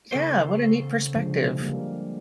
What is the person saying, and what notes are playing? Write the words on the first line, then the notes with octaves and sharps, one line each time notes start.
yeah, what a neat perspective.
C#3 A4 C5
D3 F3 G#3
G3 A#3